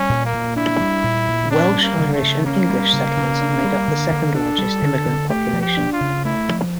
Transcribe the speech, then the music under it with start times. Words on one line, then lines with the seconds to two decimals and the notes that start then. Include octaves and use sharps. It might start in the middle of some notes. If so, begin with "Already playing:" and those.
Welsh, Irish, and English settlers made up the second largest immigrant population.
Already playing: G3 C#4
0.09 A#2
0.25 A#3
0.33 A#2
0.56 D4 E4
0.80 G3
1.03 A#2
1.28 A#2
1.51 C#4 D4
1.75 G3
1.82 A#3
1.98 C#3
2.14 A3
2.22 C#3
2.46 A#3 C#4
2.70 G3
2.93 C#3
3.17 C#3
3.41 D4
3.64 G3
3.88 D3
4.12 D3
4.35 D4 A4
4.58 G3
4.82 D3
5.06 D3
5.29 A3 G4
5.53 F3
5.61 G4
5.77 D4
5.93 F4
6.01 C#3
6.25 A3 E4
6.48 F3